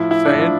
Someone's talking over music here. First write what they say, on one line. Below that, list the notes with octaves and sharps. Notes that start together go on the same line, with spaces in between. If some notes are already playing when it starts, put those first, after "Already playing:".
Just saying.
Already playing: A2 F3 E4
E4
D4
A2 F3